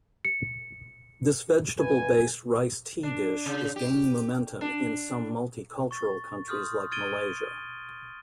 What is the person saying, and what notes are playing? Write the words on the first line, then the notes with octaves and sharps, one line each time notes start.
This vegetable-based rice tea dish is gaining momentum in some multicultural countries like Malaysia.
C#7
F#1 C2 B4 G#5
D4
C#3
G4
D4
C#6 A6
C6 D#6 F6 G6
F6 G#6 A6 D7 D#7 G7